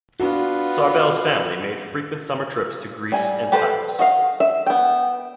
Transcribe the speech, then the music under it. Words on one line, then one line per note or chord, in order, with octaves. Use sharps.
Sarbel's family made frequent summer trips to Greece and Cyprus.
B3 D4 F4 F#4
G3 G#5
G4 A4 B4 C5
F#4 D#5 F5
E5
B3 G5